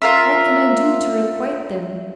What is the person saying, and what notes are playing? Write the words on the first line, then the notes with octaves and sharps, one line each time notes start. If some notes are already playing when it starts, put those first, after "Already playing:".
What can I do to requite them?
F4 A#4 E5